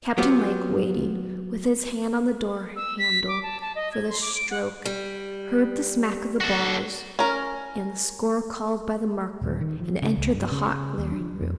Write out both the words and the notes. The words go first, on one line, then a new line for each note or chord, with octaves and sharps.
Captain Lake, waiting, with his hand on the door-handle, for the stroke, heard the smack of the balls, and the score called by the marker, and entered the hot, glaring room.
F#3 B3 F4 G4
E6
B6
D6
A5
A5
D#5
G#6
C6
D6
D7
F#5
G3
F#4 A4
C#4 A#4
D#1
D#3
F3
C#3
C#2
G2
C#3
D#2
D4
F2